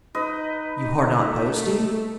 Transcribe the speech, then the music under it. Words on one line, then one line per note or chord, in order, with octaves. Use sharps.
"You are not boasting?"
D#4 B4 D#5
A3